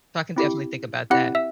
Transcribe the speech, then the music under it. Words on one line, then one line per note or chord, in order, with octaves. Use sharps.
So, I can definitely think about that.
C4 E4 G4
C4 E4 G4 F#5 F#6
E5 E6